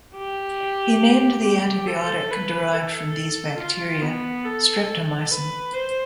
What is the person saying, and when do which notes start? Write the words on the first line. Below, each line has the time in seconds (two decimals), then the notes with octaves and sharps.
He named the antibiotic derived from these bacteria streptomycin.
0.16 G4
1.44 G4
1.87 A4
2.30 B4
2.73 A4
3.58 F4
4.02 B3
4.45 A4
4.87 A4
5.31 B4
5.73 C5